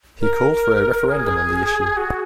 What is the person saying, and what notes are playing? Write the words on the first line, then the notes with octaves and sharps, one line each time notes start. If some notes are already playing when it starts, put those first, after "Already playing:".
He called for a referendum on the issue.
A#4
G#4
F#4